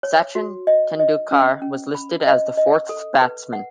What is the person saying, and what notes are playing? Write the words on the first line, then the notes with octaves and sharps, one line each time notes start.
Sachin Tendulkar was listed as the fourth batsman.
C#5
F#4
D#5
D#5
C#4
C#4
B5
D#5
D#5
A4
B4
F#5